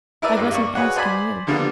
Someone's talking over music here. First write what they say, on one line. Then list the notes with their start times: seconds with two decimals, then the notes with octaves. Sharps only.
"I wasn't asking you."
0.22 E4 A#4 B4 D5 E5
0.37 G#1 G2
0.51 A#3 D5 C#6
0.75 F#4 G#4 B4 C#5 F#5
0.96 C5 D5 G#5 B5
1.47 D3 F3 G3 A#3 B3 D4